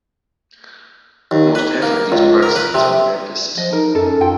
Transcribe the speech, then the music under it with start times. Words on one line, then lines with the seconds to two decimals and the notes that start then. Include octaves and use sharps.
Almost half of these Protestants are Baptists.
1.31 D#2
1.55 B4
1.82 A#3
2.12 C#2
2.43 A#4
2.55 B4
2.74 C3
3.57 F3 D#5
3.73 D#4 A#4
3.95 F#2 A4
4.21 F4 G5